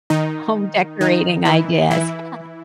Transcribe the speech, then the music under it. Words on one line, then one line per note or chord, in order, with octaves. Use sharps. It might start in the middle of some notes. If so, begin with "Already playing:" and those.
home decorating ideas Yeah,
D#3 D#4
D#3 D#4
E3 E4
E3 E4